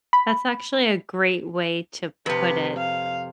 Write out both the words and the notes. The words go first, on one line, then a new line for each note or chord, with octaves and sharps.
That's actually a great way to put it.
B5
F2 C3 B4
F5